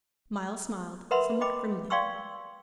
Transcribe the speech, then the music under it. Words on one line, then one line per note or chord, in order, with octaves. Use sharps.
Myles smiled somewhat grimly.
A#4 B4 E5 F#5 B5 C6
D#5 G5 B5 D6
D5 F5 G5 C6 C#6 E6